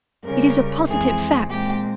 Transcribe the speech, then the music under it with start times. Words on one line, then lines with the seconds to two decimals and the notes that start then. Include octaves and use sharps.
It is a positive fact!
0.24 C#3 G3 C#4 A#4
0.87 F2 E3 G#3 C4 G#4
1.49 A#2 G#3 C4 G4